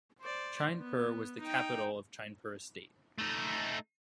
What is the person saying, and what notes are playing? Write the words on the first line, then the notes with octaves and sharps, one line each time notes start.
Chainpur was the capital of Chainpur Estate.
C5 D5
B3
D#4 G5
A3 D#4